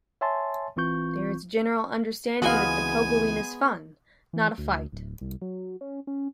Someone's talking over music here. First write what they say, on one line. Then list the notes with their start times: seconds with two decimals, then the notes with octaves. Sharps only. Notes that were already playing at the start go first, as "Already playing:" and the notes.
There is a general understanding that the pogoing is fun, not a fight.
0.21 C#5 E5 G#5 A5 C6 A6
0.76 A1 E3 C4 F4 C#6 G6
2.42 C#2 E3 G#3 B3 F#4 F5 G#5
4.33 E3
4.58 D2
4.93 D1
5.21 C2
5.42 F#3
5.81 C#4
6.07 C#4